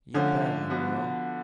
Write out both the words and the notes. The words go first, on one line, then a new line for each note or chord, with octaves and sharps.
You bet I will!
D3 F3 A3 C#4
F3 B3 F#4